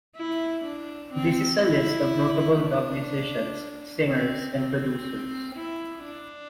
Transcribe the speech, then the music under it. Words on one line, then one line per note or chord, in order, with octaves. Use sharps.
This is a list of notable dub musicians, singers and producers.
E4
D4
C4
E4
D4
C4
C4
E4
D4